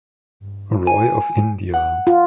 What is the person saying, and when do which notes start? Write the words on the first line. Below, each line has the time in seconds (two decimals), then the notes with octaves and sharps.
Roy of India.
0.87 G#5
1.74 F#5
2.07 F4